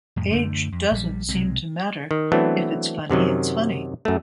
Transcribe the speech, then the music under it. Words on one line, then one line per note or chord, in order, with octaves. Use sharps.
Age doesn't seem to matter - if it's funny, it's funny.
F2 A2
F#2 D3 A3 D4
F2
A#1 G3
B1 C3 G#3 C4
D#3
E3 F#3 A3 B3 C4 D4
F#2 C3 D#3 F#3
F#2 A3